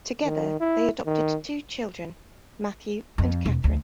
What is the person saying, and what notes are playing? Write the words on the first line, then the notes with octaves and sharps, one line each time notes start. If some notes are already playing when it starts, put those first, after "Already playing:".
Together they adopted two children, Matthew and Katharine.
D#3
E4
D#3
F2
E1
D2